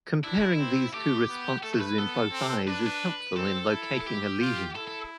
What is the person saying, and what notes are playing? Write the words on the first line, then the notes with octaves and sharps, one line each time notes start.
Comparing these two responses in both eyes is helpful in locating a lesion.
D4 E4
C4
A3 G4
B3
A3 A4
A4
B4
B3 A4
C4
D4 B4
B4
C4 A4
E4
A4
G4
F4
E4 A4
A4